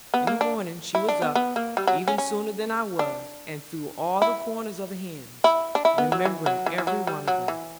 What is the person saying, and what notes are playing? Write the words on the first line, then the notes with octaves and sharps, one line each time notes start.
In the morning she was up, even sooner than I was, and through all the corners of the hens, remembering every one of them.
B3
A#3
D4
E4
D4
B3
B3
A#3
G3
F#3
C#4
C#4
D4
E4
E4
D4
E4
B3
F#3
E3
F#3
E3
E3
F#3
G3
F#3
E3